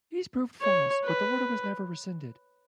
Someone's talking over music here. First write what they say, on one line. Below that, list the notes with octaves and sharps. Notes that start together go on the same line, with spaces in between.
These proved false, but the order was never rescinded.
C#5
B4